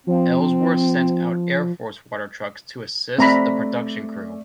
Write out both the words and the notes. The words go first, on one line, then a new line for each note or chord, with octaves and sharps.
Ellsworth sent out Air Force water trucks to assist the production crew.
F3 C4
A3 C4 D5 E5 A#5 B5